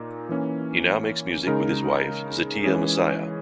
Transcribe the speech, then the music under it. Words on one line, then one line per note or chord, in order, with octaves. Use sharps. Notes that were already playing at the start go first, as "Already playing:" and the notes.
He now makes music with his wife Zeeteah Massiah.
Already playing: A#2 A#3 D#4
E3 A#3 C#4
C#3 G#3 D#4 A#4
E3 G#3 C#4 G#4